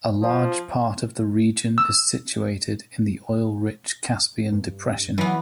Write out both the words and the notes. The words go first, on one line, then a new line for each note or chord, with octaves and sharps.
A large part of the region is situated in the oil-rich Caspian Depression.
F3
E6
G2
E3 F#3 B3